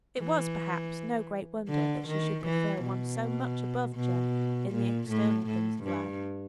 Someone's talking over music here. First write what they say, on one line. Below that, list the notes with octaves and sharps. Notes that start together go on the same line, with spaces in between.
It was, perhaps, no great wonder that she should prefer one so much above Jem in the external things of life.
E3
D3
D#3
E3
B2
B2
A#2
A2
A2
G2